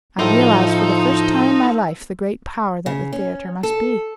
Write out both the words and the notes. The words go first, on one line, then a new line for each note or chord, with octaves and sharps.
I realised for the first time in my life the great power that the theatre must be.
A2 F3 D#4 F4 A4 C5
C#3
C#4
A4